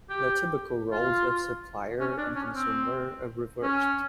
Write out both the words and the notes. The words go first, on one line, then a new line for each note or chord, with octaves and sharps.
The typical roles of supplier and consumer are reversed.
G4
F4
C#4
D4
C#4
C4
C#4